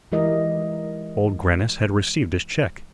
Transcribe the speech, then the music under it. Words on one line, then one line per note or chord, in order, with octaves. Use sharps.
Old Grannis had received his check.
E3 G#3 E4 G4 A#4 D#5